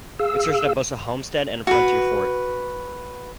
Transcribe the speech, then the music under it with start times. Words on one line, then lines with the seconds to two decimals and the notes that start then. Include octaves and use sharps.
It served as both a homestead and frontier fort.
0.19 G#4 F5 E6
1.67 F#4 B4